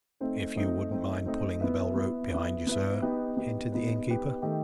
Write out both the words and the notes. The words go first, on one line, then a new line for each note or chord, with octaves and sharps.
"If you wouldn't mind pulling the bell-rope behind you, sir," hinted the innkeeper.
A3 C4 D#4
A3 C4 D#4
A3 C4 D#4
A3 C4 D#4
B3 E4 B4 E5
B3 E4 B4 E5
B3 E4 B4 E5
B3 E4 B4 E5
B3 D#4 G4 B4
B3 D#4 G4 B4
B3 D#4 G4 B4
B3 D#4 G4 B4
D#3 A3 D#4 G4